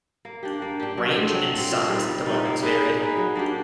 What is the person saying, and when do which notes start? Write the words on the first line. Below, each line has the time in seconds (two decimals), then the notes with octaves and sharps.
Range and size of the weapons varied.
0.25 A#3
0.43 D4 G4
0.62 A#3
0.80 D4 G4
0.98 F#3
1.17 A3 C4
1.35 F#3
1.53 A3 C4
1.72 A#2
1.89 G3 C4 D#4
2.08 A#2
2.26 G3 C4 D#4
2.45 A#3
2.63 D#4 G#4 B4
2.80 A#3
2.99 D#4 G#4 B4
3.17 F#3
3.35 A#3 D4 G4